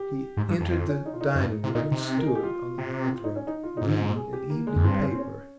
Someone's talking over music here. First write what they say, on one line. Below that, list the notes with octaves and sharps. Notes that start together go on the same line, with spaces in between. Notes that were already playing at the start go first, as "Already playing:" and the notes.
He entered the dining-room and stood on the hearthrug reading an evening paper.
Already playing: G4
G#2
G2
F2
F4
C#4
D#4
F4
D#4
F2
G2
C3
F4
A#2 D#4
C3
A#4
G#4
G4
F4
C3
F4
D#4
C#4
D#4
F4
D#4
G#2 F4
G#4
G4
A#3
G#3
F2
G2 C4
C#4
C4
C#4